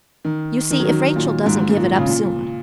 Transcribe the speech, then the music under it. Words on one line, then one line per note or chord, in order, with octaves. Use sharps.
You see if Rachel doesn't give it up soon.
D#3
D#3
F#3
D#3
A#2
G#2
G#2
A#2
C#3
A#2